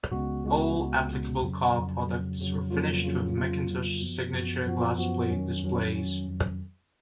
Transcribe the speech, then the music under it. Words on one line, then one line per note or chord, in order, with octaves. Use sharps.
All applicable car products were finished with McIntosh's signature glass plate displays.
C#2 C#3 G#3 B3 F#4
C#2 C#3 G#3 B3 F#4
C#2 C#3 G#3 B3 F#4
C#2 C#3 G#3 B3 F#4
F2 C#3 F#3
F2 C#3 F#3
F2 C#3 F#3
F2 C#3 F#3
F2 C#3 F#3 A#3 F4
F2 C#3 F#3 A#3 F4
F2 C#3 F#3 A#3 F4
F2 C#3 F#3 A#3 F4
F#2 F3 B3 F#4
F#2 F3 B3 F#4
F#2 F3 B3 F#4
F#2 F3 B3 F#4
F2 D#3 F#3 C#4
F2 D#3 F#3 C#4
F2 D#3 F#3 C#4
F2 D#3 F#3 C#4